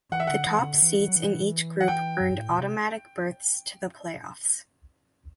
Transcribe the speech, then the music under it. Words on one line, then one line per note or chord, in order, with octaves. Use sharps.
The top seeds in each group earned automatic berths to the playoffs.
E3 F#5
E5
D3 F#5
E3
C3
D3
E3
E3
F#3
E3
F#5
G5
F#2
G2
A2
B2
C3